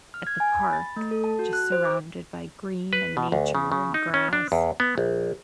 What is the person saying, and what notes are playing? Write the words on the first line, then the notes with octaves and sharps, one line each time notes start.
at the park just surrounded by green and nature and grass.
F6
G#6
G#5
B5
A6
A3
A4
A5
F#4
F#6
C5
D6
B4
B2
D2
C#3
C#3
D#4
C#4
D4
E2
B3
A#1